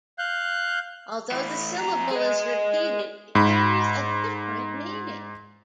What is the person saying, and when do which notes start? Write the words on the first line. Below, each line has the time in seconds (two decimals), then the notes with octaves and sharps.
Although the syllable is repeated, it carries a different meaning.
0.19 F5 F#6 G6
1.32 A2 E3
1.76 F2 A#5
2.11 G#4 D#5
3.35 G#2 B5